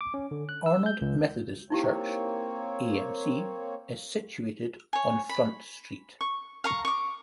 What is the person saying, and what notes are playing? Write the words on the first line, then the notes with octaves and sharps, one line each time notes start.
Arnold Methodist Church - 'amc' - is situated on Front Street.
D6
C#4
D3
F#6
E6
G6
C#2
A#3 C4 D#4 E4 G4 C#5
C#5 G#5
B5
C#6
F5 A#5 C#6
C#6 D6